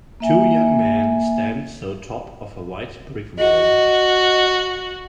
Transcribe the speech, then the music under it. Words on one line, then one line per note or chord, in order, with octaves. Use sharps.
Two young men stand so top of a white brick wall.
A#3 E5 G#5
F#4 D#5